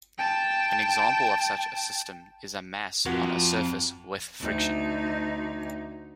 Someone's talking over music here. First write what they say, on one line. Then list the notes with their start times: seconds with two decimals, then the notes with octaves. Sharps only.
An example of such a system is a mass on a surface with friction.
0.18 G5 A5
3.06 F2 F4 F#4 A#4 F#5 D6
3.56 C4
4.41 D2 D#4